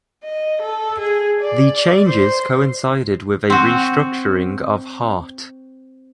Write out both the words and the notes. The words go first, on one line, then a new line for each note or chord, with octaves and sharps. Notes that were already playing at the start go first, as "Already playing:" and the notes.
The changes coincided with a restructuring of Heart.
D#5
A4
G#4
D5
C5
C4 F#4